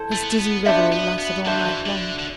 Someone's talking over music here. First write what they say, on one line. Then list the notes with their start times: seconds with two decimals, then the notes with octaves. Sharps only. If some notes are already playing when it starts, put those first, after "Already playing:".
His dizzy revery lasted all night long.
Already playing: E4 A4 C5
0.12 A3
0.21 B3
0.30 A3
0.39 B3
0.66 B3 D4 F#4 C5 E5
0.92 B3
1.19 B3
1.45 E3 D4 F#4 C5 E5
1.55 D3
1.64 E3
1.86 D3
2.19 D3